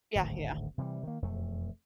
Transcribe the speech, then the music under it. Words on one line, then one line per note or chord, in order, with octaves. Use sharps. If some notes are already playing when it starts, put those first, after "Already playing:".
Yeah, yeah.
D1 G#1 D2
C3 E3 F3 G3
D#3 A#3
E1 F2 A3